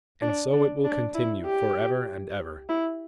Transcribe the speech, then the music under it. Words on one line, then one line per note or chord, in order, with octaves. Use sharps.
And so it will continue for ever and ever.
D4
D4
D4
E4
G4
E4